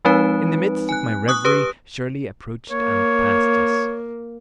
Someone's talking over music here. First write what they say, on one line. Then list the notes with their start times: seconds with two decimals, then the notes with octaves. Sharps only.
In the midst of my reverie Shirley approached and passed us.
0.05 F3 G#3 C4 D#4 B4
0.89 G#5 F#6
1.28 C#6 D#6 F#6
1.45 G4 B4 D#6
2.71 A#3 C#5